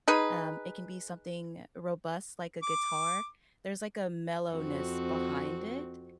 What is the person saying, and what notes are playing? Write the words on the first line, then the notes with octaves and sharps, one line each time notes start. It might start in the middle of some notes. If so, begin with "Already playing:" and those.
um it can be something robust like a guitar, there's like a mellowness behind it
D#4 G#4 B4
D6
F2 C4 F#4